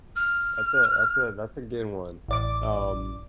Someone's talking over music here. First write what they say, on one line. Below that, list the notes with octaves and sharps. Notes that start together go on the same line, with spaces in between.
That's a that's a that's a good one. Um,
F6
A1 D5 D6